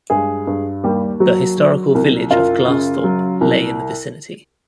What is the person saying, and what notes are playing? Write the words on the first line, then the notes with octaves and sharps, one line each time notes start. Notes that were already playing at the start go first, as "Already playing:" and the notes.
The historical village of Glassthorpe lay in the vicinity.
G2 G#3 G#4
G2
D#2 G3 G4
F#3 F#4
F#3
C2
F#2 F4
C#3
F#3
C2